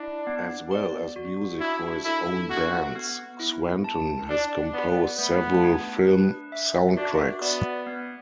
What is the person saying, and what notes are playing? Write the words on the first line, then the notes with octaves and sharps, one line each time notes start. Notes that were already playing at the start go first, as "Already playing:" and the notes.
As well as music for his own bands, Swanton has composed several film soundtracks.
Already playing: D4 E4
B3
D5
F#4
D4 E4
E4 A4
B3 F#4
B3
E4
A5
D4 D5
B3 D5
A3 B3
D4
B4
E5
D4 F#4
B3 D5
B3